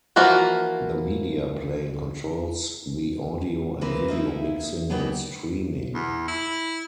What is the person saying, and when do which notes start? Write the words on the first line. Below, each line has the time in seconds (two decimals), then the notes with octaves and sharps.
The Media Plane controls the audio and video mixing and streaming.
0.16 E3 F3 A#3 F4 F#4
3.81 E3 G#3 A#3 C4 B4
4.08 A#3 D#4 E4 E5
4.90 C#3 F#3 A#3 B3 D#4 G4
5.94 E2
6.28 E4